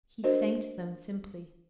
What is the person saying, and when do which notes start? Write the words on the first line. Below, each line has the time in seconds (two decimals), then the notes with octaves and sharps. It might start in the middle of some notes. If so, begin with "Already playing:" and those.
He thanked them simply.
0.24 D4 F#4 A#4 C5 D#5